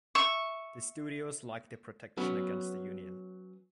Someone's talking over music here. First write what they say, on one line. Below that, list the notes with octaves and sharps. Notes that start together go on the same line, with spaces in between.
The studios liked the protection against the union.
E5 C#6
F#3 B3 C#4